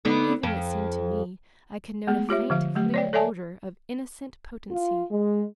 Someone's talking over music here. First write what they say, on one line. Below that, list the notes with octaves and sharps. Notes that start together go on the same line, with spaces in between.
Even, it seemed to me, I could note a faint, clear odor of innocent potency.
D3 B3 D#4
F2
G#3 A3 B3 G#4
F4 G4 C#5 E5
D3 F3 F5
F#3 A3 G4
C#5 D5 G5
A4 C#5 D5 E5 G#5 A5
F4
G#3